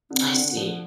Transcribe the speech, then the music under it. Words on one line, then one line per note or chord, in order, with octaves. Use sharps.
I see.
D3 C4
D3
F3